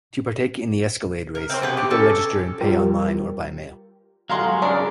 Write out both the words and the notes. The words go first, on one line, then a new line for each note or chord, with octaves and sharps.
To partake in the Escalade race, people register and pay online or by mail.
A#4
C4 A#4 C5
B2 G4 B4
G4
C#4 A4 A5
G3 F4 G4 A#4
G1 F#3 G#3 F5 F#5 A#5 C6
C#3 D4 A#4 D5